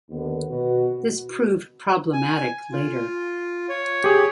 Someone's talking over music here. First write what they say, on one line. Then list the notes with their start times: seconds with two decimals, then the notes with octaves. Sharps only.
This proved problematic later.
0.10 D#2 D3 B3
0.50 B2 F#4
2.13 G#5
2.72 F4
3.69 C#5
4.04 G4 G#4